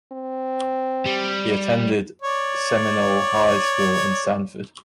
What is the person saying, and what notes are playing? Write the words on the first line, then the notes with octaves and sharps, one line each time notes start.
He attended Seminole High School in Sanford.
C4
G3
C#5 D5